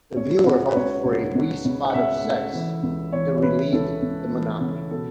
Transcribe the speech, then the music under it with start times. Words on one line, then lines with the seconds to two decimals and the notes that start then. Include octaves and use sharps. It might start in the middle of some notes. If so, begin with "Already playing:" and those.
This viewer hoped for a wee spot of sex to relieve the monotony.
0.16 C#2 C#5
0.46 C#3 F#4
0.69 B4
0.76 C#2 C#5
1.05 C#2
1.35 C#3
1.65 C#3
1.90 F#5
1.94 C#3 E5
2.24 A3
2.53 E3
2.83 C#2
3.12 E3 C#5
3.37 C#5
3.42 C#2 B4
3.72 C#2 A4
4.02 C#2
4.32 E3
4.61 C#3
4.91 B2 A4